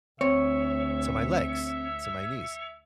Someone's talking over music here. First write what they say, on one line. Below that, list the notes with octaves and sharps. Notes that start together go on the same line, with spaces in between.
to my legs, to my knees.
D2 C4 C#5 E5